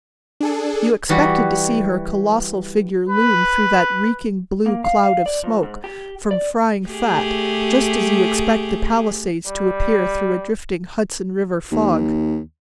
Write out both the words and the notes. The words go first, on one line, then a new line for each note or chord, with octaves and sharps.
You expected to see her colossal figure loom through that reeking blue cloud of smoke from frying fat just as you expect the Palisades to appear through a drifting Hudson River fog.
D4 G#4 A4
E3 G3 F#4 F#5
B4
A#3
F5
F5
D5
F2
G#2
G4
D5
A3 G4 G#4
G3
D#2